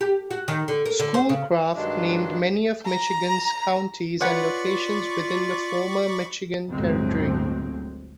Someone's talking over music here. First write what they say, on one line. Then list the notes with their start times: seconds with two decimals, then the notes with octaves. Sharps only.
Schoolcraft named many of Michigan's counties and locations within the former Michigan Territory.
0.01 G4
0.31 F#4
0.48 D#3
0.68 D3
0.86 A#4
1.00 D3
1.14 C5
1.29 C#3
1.76 G2 D#3 F#3 G#3 D4
2.85 A#5
4.21 F4 B4 C#5 D5 F#5 B5 C#6
6.69 G1 D2 A2 F#3 G#3 C4